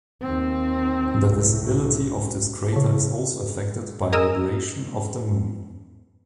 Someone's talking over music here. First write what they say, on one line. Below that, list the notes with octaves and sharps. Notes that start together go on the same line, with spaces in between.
The visibility of this crater is also affected by libration of the Moon.
D#2 C4
C2 A2
A2 C#3
G#4 A#4 D#5 D#6 E6